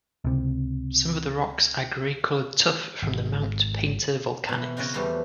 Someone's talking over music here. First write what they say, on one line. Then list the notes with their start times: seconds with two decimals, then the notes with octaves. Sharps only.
Some of the rocks are grey coloured tuff from the Mount Painter Volcanics.
0.24 C#2 C3
3.02 G#1
4.49 B2 E3
4.77 C#3 F4 F#4 D#5 G5 G#5
4.94 E2 E3 F3 G3 A3 C6